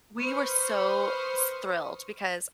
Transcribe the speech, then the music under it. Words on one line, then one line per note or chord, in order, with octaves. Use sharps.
We were so s thrilled because
B4 C5 C#6 D#6 F6